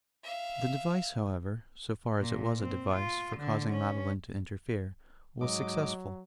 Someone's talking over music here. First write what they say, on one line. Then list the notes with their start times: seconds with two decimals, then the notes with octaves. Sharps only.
The device, however, so far as it was a device for causing Madeline to interfere, was successful.
0.23 E5 F5
2.21 A#2
2.59 C4
2.94 F4
3.38 D3
3.73 C#4
5.41 G#2 F#3 D#5 D6